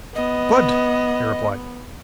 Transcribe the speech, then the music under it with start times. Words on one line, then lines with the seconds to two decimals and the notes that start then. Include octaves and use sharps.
"Good!" he replied.
0.15 B3 D#5